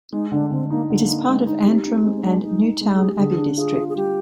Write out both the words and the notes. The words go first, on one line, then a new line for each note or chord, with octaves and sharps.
It is part of Antrim and Newtownabbey district.
G#3 D#4
D3 D4
D3 C4
A#3 D#4
D3 A#3
D#4
G#3
D#4
C4 G4
C4 D#4
G#3 C4
C4
G#3 D4
G#3 D#4
D#4
G#3
G#4
G4
D3 G#4
D4
F4 G#4
F4
G#4
G3 G4